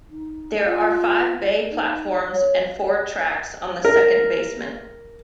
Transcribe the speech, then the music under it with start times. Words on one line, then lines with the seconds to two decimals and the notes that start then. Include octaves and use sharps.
There are five bay platforms and four tracks on the second basement.
0.10 D#4
0.67 F4
1.71 D#4
2.30 C#5
3.85 A#4